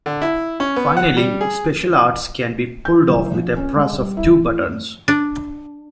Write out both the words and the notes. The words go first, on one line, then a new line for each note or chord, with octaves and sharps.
Finally, "special arts" can be pulled off with a press of two buttons.
D3
E4
C#4
B3
F#5
G3
G#4
G6
F#1
A#1
C#4
G#3
G3
E4
D4